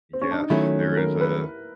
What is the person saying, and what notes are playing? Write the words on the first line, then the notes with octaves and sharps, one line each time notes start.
yes, there is a
C4
C#4
D4
D#4
D#3 F#3 A3 C#4 E4
A#4
B4